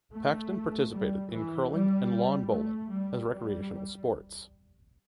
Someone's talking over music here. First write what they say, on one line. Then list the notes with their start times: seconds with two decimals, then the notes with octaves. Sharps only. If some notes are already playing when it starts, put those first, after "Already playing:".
Paxton participated in curling and lawn bowling as recreational sports.
0.11 A3
0.91 G3
1.32 E3
1.71 G3
2.51 A3
2.91 G3
3.31 G3